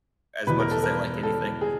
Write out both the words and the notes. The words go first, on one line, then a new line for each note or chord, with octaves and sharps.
as much as they like anything.
E2 B2 B4
A#4
A4
A#4
A4
G#4